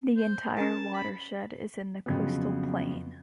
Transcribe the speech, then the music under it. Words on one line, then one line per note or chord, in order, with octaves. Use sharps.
The entire watershed is in the coastal plain.
C5
C#4 A#4 A5
B5
F2 C#3 F#3 B3